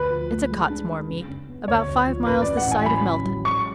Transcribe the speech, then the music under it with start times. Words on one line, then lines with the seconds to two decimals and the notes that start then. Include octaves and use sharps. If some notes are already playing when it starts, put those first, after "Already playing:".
"It's a Cottesmore meet,--about five miles this side of Melton."
Already playing: D2 B4
0.10 F3
0.30 A3
0.50 G#3
0.70 D4
0.89 D4
1.08 C#3
1.29 C#3
1.49 B3
1.68 D2 C#5
1.87 D2
2.07 F3
2.26 A1 B4
2.42 A1 D5
2.57 F#5
2.66 A1 G#5
2.86 F#3 B5
3.06 C#3
3.25 F#3
3.45 G#3 C#6